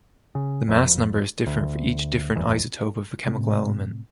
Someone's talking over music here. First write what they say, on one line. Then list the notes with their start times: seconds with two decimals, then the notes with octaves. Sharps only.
The mass number is different for each different isotope of a chemical element.
0.35 C#3
0.68 F#1 F2
1.47 D2
2.36 F#1 E2 G#2
3.27 A2 C3